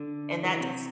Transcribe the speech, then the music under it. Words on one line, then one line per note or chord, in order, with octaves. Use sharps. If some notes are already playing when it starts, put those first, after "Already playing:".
And that just
Already playing: D3
E3
C3